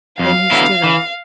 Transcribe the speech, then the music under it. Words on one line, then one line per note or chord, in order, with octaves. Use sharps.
Then he stood up.
F2 F5
D3 F#3 B3 E4
E3